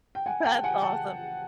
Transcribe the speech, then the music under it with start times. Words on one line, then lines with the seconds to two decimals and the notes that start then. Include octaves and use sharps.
That's awesome.
0.15 G5
0.26 F#5 G#5
0.44 G5 A5
0.63 F#5 G#5
0.82 G5 A5